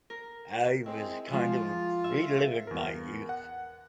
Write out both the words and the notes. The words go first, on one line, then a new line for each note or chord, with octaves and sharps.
I was kind of reliving my youth.
A#4
G#3 C4 E4
F3 G#3 F4
E5
E2 A#4
F#5